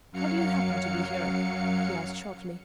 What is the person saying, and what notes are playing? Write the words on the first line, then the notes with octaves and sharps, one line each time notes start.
"How do you happen to be here?" he asked shortly.
F#2 F#3 F5 C#7